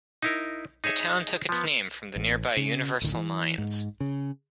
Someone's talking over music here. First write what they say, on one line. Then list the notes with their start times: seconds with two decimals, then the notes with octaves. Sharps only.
The town took its name from the nearby Universal Mines.
0.22 D#4 E4 A#4
0.84 D#4 G#4 C#5 E5
1.49 F3 B3
2.16 A1
2.57 C#3
3.02 A1 D2 D3 D#3
3.13 E3
3.58 G#2
4.00 C#3